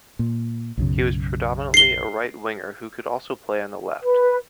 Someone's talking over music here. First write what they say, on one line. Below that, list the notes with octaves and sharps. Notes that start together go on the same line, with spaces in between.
He was predominantly a right winger who could also play on the left.
A#2
B1 F#2 C#3
C7 G7
B4